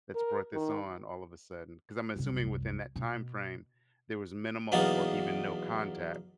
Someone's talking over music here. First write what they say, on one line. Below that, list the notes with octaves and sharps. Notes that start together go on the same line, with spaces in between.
that's brought this on all of a sudden?" 'Cause I'm assuming within that time frame, there was minimal or even no contact.
A#4
D#3
C2 F#2
B2
B1 E2 A#3 B3 D#4 A5